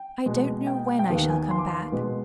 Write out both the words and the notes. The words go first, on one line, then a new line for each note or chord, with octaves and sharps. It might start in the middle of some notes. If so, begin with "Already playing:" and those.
"I don't know when I shall come back."
Already playing: G5
B2 G#3 B3
G5
G5
D#2 D#3 B3 F5
G#5
C6
D6
C6
B2 G#3 B3